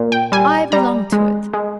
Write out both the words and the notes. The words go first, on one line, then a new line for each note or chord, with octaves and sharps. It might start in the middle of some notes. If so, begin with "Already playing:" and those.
I belong to it.
Already playing: A#2
G5
G3 G#5
G3 A#5
G#3
G#3